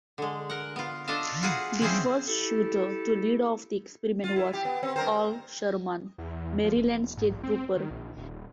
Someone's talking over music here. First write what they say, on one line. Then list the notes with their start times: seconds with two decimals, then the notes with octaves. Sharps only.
The first shooter to lead off the experiment was Al Sherman, Maryland State Trooper.
0.18 D3 G#3
0.50 A#4 F#5
0.76 B3 F4
1.08 D4 F4 A4 D#5 F5
1.43 F4 F#4 G#4 B4 F#5
1.81 C4 C#4 E4 F4 G#4 C5
2.27 E4 G4 A4
4.24 F4
4.36 E4
4.53 G4
4.65 B3
4.83 C4
4.96 G2 A#4 C5
6.18 E2
6.64 F3
6.77 F1
7.17 G#2
7.30 A#1
7.44 C4
7.76 D#3
7.90 A#1
8.17 D#1